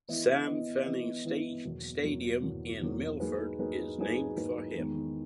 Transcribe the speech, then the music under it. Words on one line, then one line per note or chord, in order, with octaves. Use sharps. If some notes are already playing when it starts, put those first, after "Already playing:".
Sam Fanning stadium in Milford is named for him.
E3 B3 E4 B4 D#5
E3 B3 E4 B4 D#5
E3 B3 E4 B4 D#5
E3 B3 E4 B4 D#5
E2 B2 F#3 A#3
E2 B2 F#3 A#3
E2 B2 F#3 A#3
E2 B2 F#3 A#3
F#3 A#3 D#4 G#4 B4
F#3 A#3 D#4 G#4 B4
F#3 A#3 D#4 G#4 B4
F#3 A#3 D#4 G#4 B4
E2 D#3 G#3 B3 D#4